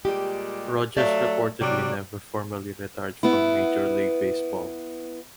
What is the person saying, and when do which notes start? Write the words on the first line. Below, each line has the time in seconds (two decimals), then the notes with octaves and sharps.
Rogers reportedly never formally retired from Major League Baseball.
0.05 A#2 G3 G#3 G4
0.97 F#3 A3 D5 F5
1.61 C3 F#3 G3 D4
3.23 B3 E4